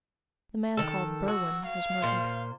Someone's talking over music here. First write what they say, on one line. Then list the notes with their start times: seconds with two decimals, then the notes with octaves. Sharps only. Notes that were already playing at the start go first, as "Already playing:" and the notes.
"The man called Berwin was murdered."
0.77 D#3 A4
1.28 F#4 E6
1.67 F5
2.02 A#2 C5